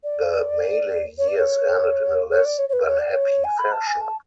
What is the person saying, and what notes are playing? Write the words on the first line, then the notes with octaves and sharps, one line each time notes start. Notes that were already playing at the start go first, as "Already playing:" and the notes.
The Maley years ended in a less than happy fashion.
D5
C#5
D5
C#5
C#5
D5
C#5
C#5
B4
C#5
D5
C#5
G#5
B5
A5
G#5
A5